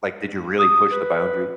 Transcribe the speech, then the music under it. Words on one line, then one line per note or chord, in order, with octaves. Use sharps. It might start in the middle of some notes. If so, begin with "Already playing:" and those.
Like, did you really push the boundary?
D#6
B4